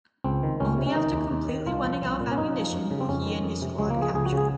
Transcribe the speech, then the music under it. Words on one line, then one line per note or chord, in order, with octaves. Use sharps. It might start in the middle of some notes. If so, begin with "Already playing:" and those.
Only after completely running out of ammunition were he and his squad captured.
C#2 C4
D#3
C#2 C#4
C3
C#4
D#3 D#4
D#2
D#2
D#3
C2 F4
F3
C2
A#2
C#4
F#2 D#4
F3
F#2
C#3
C4
F2 C#4
D#3
F2
C3
C#2 G#3
A#3
F3
G#4
C#2 G#4
F#4
C#3
G#4